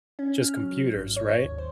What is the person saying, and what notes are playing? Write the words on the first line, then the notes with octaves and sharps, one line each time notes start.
just computers, right?
C#4
F6
F#3
G#1
C#5
D#2
C5